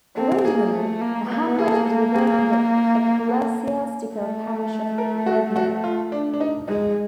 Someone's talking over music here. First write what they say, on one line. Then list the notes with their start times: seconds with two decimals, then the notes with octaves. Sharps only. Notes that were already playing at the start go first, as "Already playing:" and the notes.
Originally the hamlet was within the ecclesiastical parish of Bledlow.
0.16 C4 A4
0.45 A#3 G#4
0.73 A3
1.01 A#3
1.30 B3
1.59 A#3 G#4
1.66 A4
1.72 G#4
1.86 A4
2.14 G#4
3.28 A4
4.14 A3
4.98 A#4
5.26 F#4
5.56 F#4
5.84 F4
6.12 D4
6.34 D4
6.40 D#4
6.68 G#3 D#4